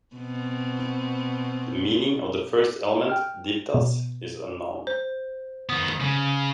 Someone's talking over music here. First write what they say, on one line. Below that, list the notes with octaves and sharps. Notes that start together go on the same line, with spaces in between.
The meaning of the first element "divtas" is unknown.
B2 C4
G5 F6
B2
C5
D#3 B3 D#6
C#3